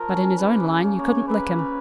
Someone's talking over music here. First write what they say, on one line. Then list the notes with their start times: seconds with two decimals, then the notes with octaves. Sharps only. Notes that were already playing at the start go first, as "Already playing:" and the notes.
But in his own line you couldn't lick him.
Already playing: F3 A#4
0.09 C#4
0.24 C#4
0.38 C#3 B4
0.54 A#3
0.69 C#3
0.84 C#4
0.98 A#3 C#5
1.14 C#3
1.28 A#3 B4
1.44 C#4
1.59 C#3